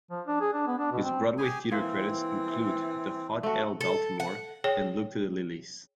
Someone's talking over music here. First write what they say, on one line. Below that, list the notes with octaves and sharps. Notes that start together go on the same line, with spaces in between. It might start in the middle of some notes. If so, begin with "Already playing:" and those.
His Broadway theatre credits include "The Hot L Baltimore" and "Look to the Lilies".
F3
D4
G#4
D4
B3
D4
B2
C4
G4 G#4 G#5
E3 A#3 C4
A3 F#4
A4
F#5
G#4 C#5 G5